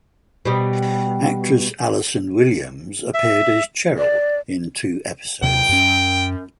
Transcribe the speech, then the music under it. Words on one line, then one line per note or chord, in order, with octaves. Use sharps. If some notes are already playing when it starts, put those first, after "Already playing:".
Actress Allison Williams appeared as Cheryl in two episodes.
B2 G3
E5
D5
D#2 C3 G5
F#2 C#4